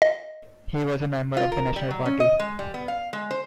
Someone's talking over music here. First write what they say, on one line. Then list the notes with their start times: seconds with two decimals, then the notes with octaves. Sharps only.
He was a member of the National Party.
0.02 D#5
1.37 F4
1.52 A#4
1.76 G3
1.91 F#3
2.06 C#4
2.20 D#5
2.40 G#3
2.59 G3
2.74 B3
2.88 F5
3.13 G#3
3.31 C5